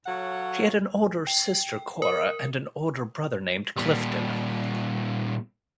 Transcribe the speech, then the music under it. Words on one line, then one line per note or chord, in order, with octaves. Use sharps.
She had an older sister, Cora, and an older brother named Clifton.
F#3 A4 C#5 F5 F#5
G5
A#4
A#2 G3